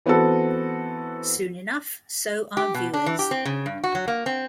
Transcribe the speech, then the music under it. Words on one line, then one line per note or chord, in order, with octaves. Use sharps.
Soon enough, so are viewers.
E3 B3 C4 F#4 A4
G4
B2
D4
E3
G4
C4
C#3
G2
F#4
F#3
A#3
C4